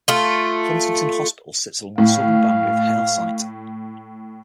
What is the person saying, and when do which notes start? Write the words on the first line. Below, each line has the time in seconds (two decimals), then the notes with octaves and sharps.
Huntington Hospital sits along the southern boundary of Halesite.
0.08 A3 F4
1.98 A2 F5